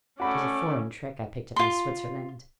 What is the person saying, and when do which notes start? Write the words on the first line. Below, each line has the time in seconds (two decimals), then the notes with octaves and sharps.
'Tis a foreign trick I picked up in Switzerland.
0.20 A3 C#4 F#4 D5 B5
1.56 F4 C6